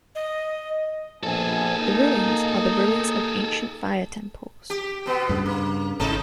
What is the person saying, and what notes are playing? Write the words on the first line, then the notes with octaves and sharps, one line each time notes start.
The ruins are the ruins of ancient fire temples.
D#5
A#1 B3 G#4 A4 G#5
A#3 D#4
G4
B2 B3
G2 C#3
A#3
G#1 G#2 C#3 D#4 A4